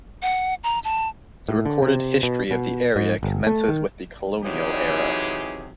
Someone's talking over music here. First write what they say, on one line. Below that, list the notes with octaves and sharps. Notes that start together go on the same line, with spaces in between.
The recorded history of the area commences with the colonial era.
F#5
A#5
A5
A2
D3
C3
B2
B2
G#2
G1
A3
D#3
C3 E3 F#3 D#4 G4 G#4